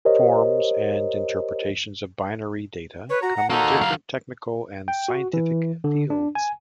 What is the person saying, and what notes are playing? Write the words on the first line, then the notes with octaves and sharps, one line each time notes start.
Forms and interpretations of binary data come in different technical and scientific fields.
G4 A#4 C5 C#5 D#5
B4 C#5
F#4 A#5
F#5
A#3 D#4 F#4 A4 A#5
F#3 F5
G5
F#4
E3
D3
D4
G#5